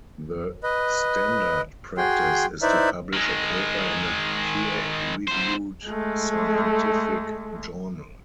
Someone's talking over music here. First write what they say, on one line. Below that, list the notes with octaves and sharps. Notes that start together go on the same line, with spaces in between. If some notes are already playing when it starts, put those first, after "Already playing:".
The standard practice is to publish a paper in a peer-reviewed scientific journal.
B4 D#5
F#4 G#4 G5 C6
D#4 E4 B4 C5 D5 E5
D#3 G#3
E2 C5
G#3 A3